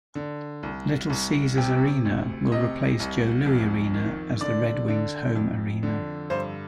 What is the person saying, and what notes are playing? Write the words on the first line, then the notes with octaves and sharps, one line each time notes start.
Little Caesars Arena will replace Joe Louis Arena as the Red Wings home arena.
D3
C2
C2
C3 G5
D2
C3 D#5
C2
F2
D#3
D3 D5
D3
F2
D3
G2 C5